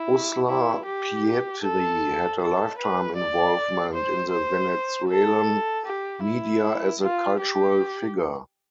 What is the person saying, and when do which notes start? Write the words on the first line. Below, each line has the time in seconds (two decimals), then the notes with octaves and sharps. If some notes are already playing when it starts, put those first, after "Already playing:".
Uslar Pietri had a lifetime involvement in the Venezuelan media as a cultural figure.
Already playing: E4
0.48 E4
0.86 G4
1.62 A4
2.40 A4
2.78 B4
3.16 D5
3.93 C5
4.32 C5
5.08 A4
5.86 G4
6.23 E4
7.01 F4
7.40 G4